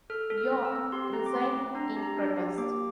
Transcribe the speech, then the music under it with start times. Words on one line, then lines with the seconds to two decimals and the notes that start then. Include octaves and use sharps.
York resigned in protest.
0.10 A4 F6
0.30 A4
0.38 F6
0.51 C4
0.65 E6
0.72 C4
0.92 G4 C6
1.13 C4 A#5
1.26 D6
1.34 A3 C6
1.55 C4
1.75 D4 A#5
1.97 G4
2.03 A#5
2.17 D4
2.37 G4
2.58 A#3 D6